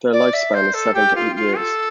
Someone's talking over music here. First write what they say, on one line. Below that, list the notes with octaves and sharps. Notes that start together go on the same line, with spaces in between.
Their lifespan is seven to eight years.
D5
E5
C5
A4
G4
F4
F4
A4